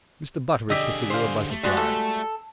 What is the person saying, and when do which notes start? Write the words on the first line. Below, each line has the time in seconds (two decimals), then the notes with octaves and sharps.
Mr. Butteridge took the world by surprise.
0.70 D3 G4 G#4 D#5 E6
1.10 C5 F5
1.51 A3
1.63 G3 G#3 F#4
1.77 A4